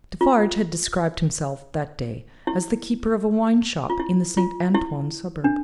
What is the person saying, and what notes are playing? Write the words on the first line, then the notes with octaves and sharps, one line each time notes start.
Defarge had described himself, that day, as the keeper of a wine-shop in the Saint Antoine suburb.
F4
E4
F4
E4
F4
E4
D4